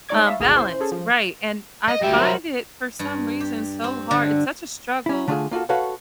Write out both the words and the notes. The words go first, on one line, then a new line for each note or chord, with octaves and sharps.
Um balance, right, and I find it, for some reason, so hard it's such a struggle
G#3 D#4 C#5 D5 D6 G#6
E5 F5 A5 B5 C#6
G#1 D2 B2 G#4 F5 E7
C#4 E4 C5
C#4 G#4 A4
F3
D#5
D2 G3 G4 E5 G5
F#3 A#4 C5
G2
G4
C4
D3
C#4 E4
D3 A3 D4 F4 F#4 G#4
A#3 F4 F#4 A4
F#4 A4 B4 C#5 F5 F#5